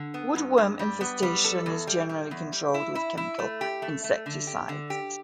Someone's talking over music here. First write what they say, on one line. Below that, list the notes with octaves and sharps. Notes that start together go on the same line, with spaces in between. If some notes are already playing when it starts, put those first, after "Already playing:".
Woodworm infestation is generally controlled with chemical insecticides.
Already playing: D3
B3
G2
G2
G3
B3
G3
A4
E2
G3
G3
E2
G3
E4
E4
E4
A3
G4
A3
A3
D3
G4
D3
G4